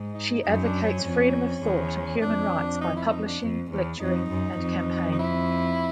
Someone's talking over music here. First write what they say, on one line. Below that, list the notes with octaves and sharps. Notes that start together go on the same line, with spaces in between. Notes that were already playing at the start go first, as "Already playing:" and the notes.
She advocates freedom of thought and human rights by publishing, lecturing, and campaigning.
Already playing: G#2
D#4
F#2 D#4
D4
C#4
F2
E2
F2 D4
D#4
E4
D#4
D4
F2
E2
F2 D#4
F#2
F2
D#4
E4